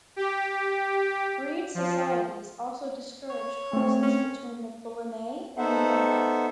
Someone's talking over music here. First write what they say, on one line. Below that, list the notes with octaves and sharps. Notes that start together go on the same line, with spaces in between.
Breed societies also discouraged crosses between the Boulonnais and the Brabant.
G4
F3
C#5
A3 C4
C#4
B3 D#4 A4 C5 E5 F#5